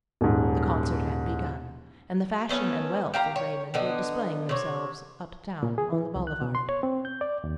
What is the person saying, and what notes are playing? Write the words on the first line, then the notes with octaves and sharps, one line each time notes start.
The concert had begun, and the fashion and wealth of Raymond were displaying themselves up town on the boulevard.
D#1 G#2
A3 B3 C#4
G4 F5 A#5
C#5
D3 B3 D#4
C3 C#5
A#2
G#4
E3
C2
F#6
B2
C6
C#5
C4
G6
D5
D#2